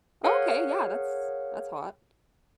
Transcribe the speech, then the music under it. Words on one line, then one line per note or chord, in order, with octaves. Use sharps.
Okay, yeah. That's that's hot.
G#4 A#4 C#5 F5 F#5